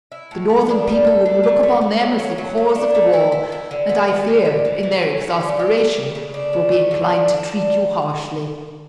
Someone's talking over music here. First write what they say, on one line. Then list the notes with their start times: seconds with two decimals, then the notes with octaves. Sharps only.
The Northern people will look upon them as the cause of the war, and I fear, in their exasperation, will be inclined to treat you harshly.
0.12 E4
0.31 A2
0.50 B3
0.69 D4
0.87 G3
1.07 A4
1.26 D4
1.44 A3
1.63 A3
1.81 A3
2.01 F#3
2.19 F#3
2.38 F#3
2.57 A3
2.75 D4
2.95 A3
3.13 E4
3.32 E4
3.52 E4
3.71 D3
3.89 B3
4.08 B3
4.27 D3
4.45 G3
4.65 E3
4.83 E3
5.02 C#4
5.21 C#4
5.41 G3
5.59 G4
5.78 G3
5.97 C#3
6.15 C#3
6.34 D4
6.53 C#3
6.72 A3
6.91 D3
7.10 D4
7.30 D4